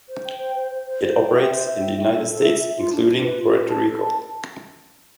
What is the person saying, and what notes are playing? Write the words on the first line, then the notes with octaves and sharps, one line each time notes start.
It operates in the United States, including Puerto Rico.
C5
G5
C5
C5
C5
C5
C5
G5
E5
C5
E5
G5
E5
A4
A4
E5
E5
F4
D4
D4
B4
F4
B4
A5
A4
A5